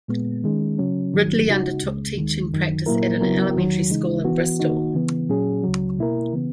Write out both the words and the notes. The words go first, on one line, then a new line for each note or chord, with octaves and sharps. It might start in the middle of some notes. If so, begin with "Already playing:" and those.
Ridley undertook teaching practice at an Elementary School in Bristol.
A#2 G#3 B3
D#3 G#3 C#4
C#3 F#3 C#4
G#2 D#3 F#3
C#3 G#3 D#4 F#4
C#2 C#3 G#3
D#2 D#3 G#3
F#2 D#3 F#3
A#2 F#3 A#3 E4 A#4
C#3 F#3 B3 E4 A#4
E2 D#3 F#3
C#3 E3 G#3 D#4
E3 B3 F#4
D#3 A#3 D#4 F#4
C#3 E3 B3
A#2 F#3 C#4 G#4
C#2 C#3 F#3
B2 A#3 E4 A#4
C#3 E3 B3